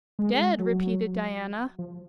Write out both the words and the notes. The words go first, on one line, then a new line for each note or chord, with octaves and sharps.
"Dead?" repeated Diana.
G#3
F#3
F3